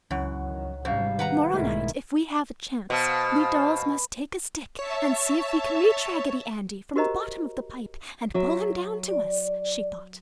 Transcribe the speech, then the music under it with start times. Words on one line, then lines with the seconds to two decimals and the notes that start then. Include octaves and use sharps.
"Tomorrow night if we have a chance, we dolls must take a stick and see if we can reach Raggedy Andy from the bottom of the pipe and pull him down to us!" she thought.
0.11 C#2 F#2 E3 C#5 F#5
0.46 D#3
0.85 G#1 F#2 C3 G3 C5 F5
1.19 D#3 B4 F#5 A#5
1.54 B1 G#2 D#3 G#3 A3 E4 F4
2.90 B2 C5 F5 A5
4.79 C#5 E5 A5
6.96 F#4 G4 A#4 C5 D#5 A#5
8.34 F#3 E5
9.08 D5